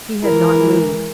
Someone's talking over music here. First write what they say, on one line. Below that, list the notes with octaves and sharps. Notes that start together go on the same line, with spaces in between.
He had not moved.
E3 G#3 E4 A#4